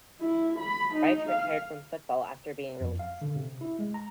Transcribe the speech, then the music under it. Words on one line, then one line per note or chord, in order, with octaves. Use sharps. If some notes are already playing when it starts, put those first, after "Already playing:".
Wright retired from football after being released.
E4
B5
D#4
F5
F2
F5
D3
C3
E4
G#3
A#5